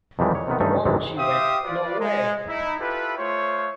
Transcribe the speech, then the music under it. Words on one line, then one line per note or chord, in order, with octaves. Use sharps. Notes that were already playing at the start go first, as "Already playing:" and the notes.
The one she went.. no way!
F2 D#3 E3 G3 G#3
C#5
C3 D#3 B3
G2 A3 C#4 D#4
G#1 F#2 C3 E3 G#3 A3
G4 C5 E5 F5 G5 D#6
F4 B4 D5
G#3
D#4 E4
E4 F4 G4 A4 B4
A3 F4 C5 C#5